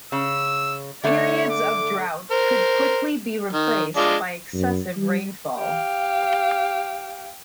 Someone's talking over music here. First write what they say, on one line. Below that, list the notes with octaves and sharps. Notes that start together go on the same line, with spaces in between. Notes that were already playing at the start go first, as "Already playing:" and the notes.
Periods of drought could quickly be replaced by excessive rainfall.
C#3 E6
D3 A3 C#5
D6
A#4 C5
D#3
G#3 D4 F4
F#2
G3
G4 F5